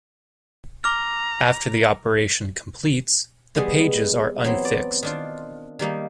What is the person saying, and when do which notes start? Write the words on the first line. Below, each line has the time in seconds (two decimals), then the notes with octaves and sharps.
After the operation completes, the pages are unfixed.
0.84 A#5 D6 F6
3.55 E3 G3 G#3 B3 G#4
4.44 E3 F#3 B3 C4
4.65 D5
5.03 D#3 D4 F4
5.79 D#3 G3 A#3 D#4